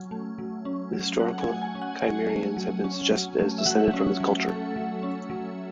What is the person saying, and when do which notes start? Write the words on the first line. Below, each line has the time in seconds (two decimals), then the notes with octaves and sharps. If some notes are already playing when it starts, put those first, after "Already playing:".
The historical Cimmerians have been suggested as descended from this culture.
Already playing: F#3 C#4
0.11 A3
0.38 F#3
0.65 C#4
0.93 F#3
1.20 A3 F#5
1.41 G#5
1.48 F#3
1.62 G#5
1.75 C#4
1.82 F#5
2.02 F#3 G#5
2.30 A3
2.57 F#3
2.84 C#4
3.11 F#3
3.39 A3
3.58 E5
3.66 F#3 F#5
3.94 C#4
4.20 F#3
4.49 A3 A4
4.76 F#3
5.03 C#4
5.30 F#3